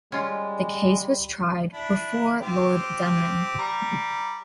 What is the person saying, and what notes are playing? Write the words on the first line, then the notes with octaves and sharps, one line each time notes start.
The case was tried before Lord Denman.
G3 G#3 C#4 F4
D4 E4
C4 F4 G4
G3 A#5